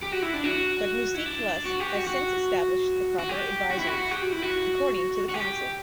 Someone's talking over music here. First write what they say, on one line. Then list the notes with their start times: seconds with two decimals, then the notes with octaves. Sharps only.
But MusiquePlus has since established the proper advisories, according to the council.
0.02 G4
0.12 F#4
0.22 E4
0.34 D4
0.44 F#4
1.15 E4
1.26 D4
1.66 F#4
1.80 G4
1.93 F#4
2.07 F#4
3.19 F#4
3.29 G4
3.70 F#4
3.79 E4
3.87 F#4
4.11 G4
4.22 F#4
4.32 E4
4.42 F#4
5.29 F#4
5.34 G4